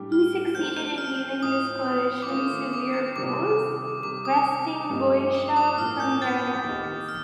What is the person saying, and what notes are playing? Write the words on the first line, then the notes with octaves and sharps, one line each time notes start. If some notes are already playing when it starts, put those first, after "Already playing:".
He succeeded in dealing this coalition severe blows, wresting Boeotia from their alliance.
Already playing: A2 G3 D4 G4
F6
F3 A3 C4 G4 G6
G6
F6
A2 F3 C4 D#4 D#6
D6
D#3 A3 D4 F4 D#6
D6
D6
C3 D#3 G3 D6
C3 D#3 G3 D6
D#6
D#6
G2 F3 A3 D#4 G4
D6
D#6
A2 F3 A#3 F6
G6
A6
D#3 A#3 D#4 G4
F6